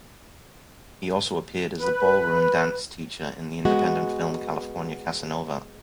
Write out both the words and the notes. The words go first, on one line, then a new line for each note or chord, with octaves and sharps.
He also appeared as a ballroom dance teacher in the independent film "California Casanova".
B4
G#3 B3 F#4